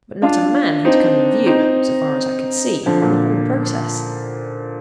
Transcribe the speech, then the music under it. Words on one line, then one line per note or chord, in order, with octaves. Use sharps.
But not a man had come in view, so far as I could see, in the whole process.
D4 F4
C4 D#4
C4 D#4
D3 F3
A#2